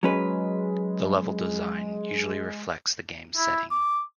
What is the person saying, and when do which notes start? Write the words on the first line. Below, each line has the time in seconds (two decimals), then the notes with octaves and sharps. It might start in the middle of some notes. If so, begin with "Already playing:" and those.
The level design usually reflects the game's setting.
0.03 F#3 G#3 C#4 B4
3.37 E4
3.71 D6